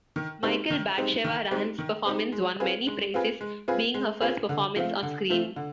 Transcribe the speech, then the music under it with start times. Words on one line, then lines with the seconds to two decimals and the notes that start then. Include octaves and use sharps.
Michal Batsheva Rand's performance won many praises, being her first performance on screen.
0.16 D#3
0.43 G#3 C4 D#4 G4
0.70 D#3
0.97 G#3 C4 D#4 G4
1.24 D#3
1.51 G#3 C4 D#4 G4
1.78 D#3
2.05 G#3 C4 D#4 G4
2.32 G#3
2.60 C4 F4 G#4 B4
2.87 G#3
3.14 C4 F4 G#4 B4
3.41 G#3
3.68 C4 F4 G#4 B4
3.94 G#3
4.21 C4 F4 G#4 B4
4.49 D3
4.76 F3 A3 C4 F4
5.03 D3
5.29 F3 A3 C4 F4
5.56 D3